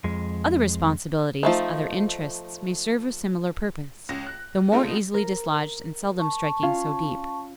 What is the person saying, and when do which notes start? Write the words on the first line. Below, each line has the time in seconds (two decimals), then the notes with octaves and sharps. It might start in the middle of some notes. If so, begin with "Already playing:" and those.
Other responsibilities, other interests, may serve a similar purpose, though more easily dislodged and seldom striking so deep.
0.04 F2 G#3
1.43 F3 A3 D#4
4.09 C#2 C#4 A#6
4.27 F#6
4.72 G#3 A3 B3 C4 D#4 F4
5.14 A#4
6.19 A5 C#6
6.63 C#4 F4 F5